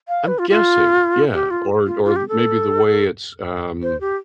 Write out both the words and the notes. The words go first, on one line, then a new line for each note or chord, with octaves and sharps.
I'm guessing. Yeah. Or or maybe the way it's, um,
F5
B4
F4
F4
G4
F4
F4
F4
G4
A4
C5
G4